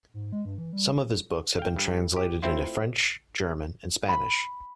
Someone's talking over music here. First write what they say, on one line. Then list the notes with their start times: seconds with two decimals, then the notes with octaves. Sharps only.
Some of his books have been translated into French, German and Spanish.
0.14 G#2
0.32 G#3
0.45 G2
0.58 E3
0.73 G3
1.59 F5 G5
1.76 G2
2.16 G4
2.42 A3 C4 E4 F4
4.08 B5